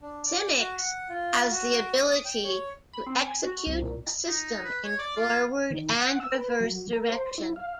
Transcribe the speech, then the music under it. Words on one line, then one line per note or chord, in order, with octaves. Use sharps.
Simics has the ability to execute a system in forward and reverse direction.
D4
D5
F#4
F#5
F4
F#4
D#6
G5
C#5
B5
C4
G#5
F#4
C2
A#2
D#4
B4
C#5
D5
F4
D#3
F#5
E6
B4
F#3
A#4
C5
E4
F5